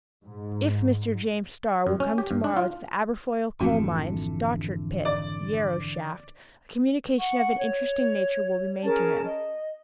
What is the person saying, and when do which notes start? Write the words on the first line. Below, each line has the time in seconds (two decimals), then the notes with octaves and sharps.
IF Mr. James Starr will come to-morrow to the Aberfoyle coal-mines, Dochart pit, Yarrow shaft, a communication of an interesting nature will be made to him.
0.25 G#2
1.87 F#2
2.00 C#4
2.18 G4
2.31 G2
2.44 D4
2.57 F4
3.61 G#1 F2 D3 E3 A3 C4 F#4 A4
5.05 D5
7.18 F#5 C#6
7.58 C#5
8.84 C#4 G#4 A#4 A5
9.24 D#5